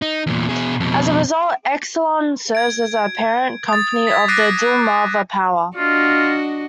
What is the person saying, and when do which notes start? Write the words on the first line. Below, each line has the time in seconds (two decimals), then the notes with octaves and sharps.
As a result, Exelon serves as the parent company of Delmarva Power.
0.02 D#4
0.27 E2 A#2
0.49 B2 G#4
0.80 F2 B2
2.55 G#6 D7
3.68 D#6 A6
4.07 G#6 B6
4.28 D6 F#6 A#6 C7 D7 D#7
5.77 D4 F4 F#4 D#5